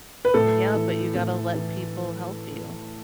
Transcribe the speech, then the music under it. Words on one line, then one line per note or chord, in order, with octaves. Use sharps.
yeah, but you gotta let people help you.
B4
A2 A4
E3
A2
E3